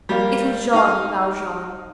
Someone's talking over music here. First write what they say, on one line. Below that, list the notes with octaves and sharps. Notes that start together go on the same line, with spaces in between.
It was Jean Valjean.
G3 A#3
D#4 F5